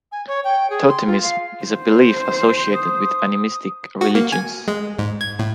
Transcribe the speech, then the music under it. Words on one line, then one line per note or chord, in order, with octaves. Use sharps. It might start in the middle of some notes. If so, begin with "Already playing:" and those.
Totemism is a belief associated with animistic religions.
G#5
C#5
G5
G#4
C6
F4
F5
C5
D#6
F#4
A#3
G#5
G#3
G#2
G#6
A2